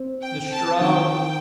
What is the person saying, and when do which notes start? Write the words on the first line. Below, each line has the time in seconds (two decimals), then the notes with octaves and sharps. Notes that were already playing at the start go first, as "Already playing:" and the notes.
The shroud!
Already playing: C4
0.22 G5
0.36 C4
0.51 A5
0.81 D#3 G5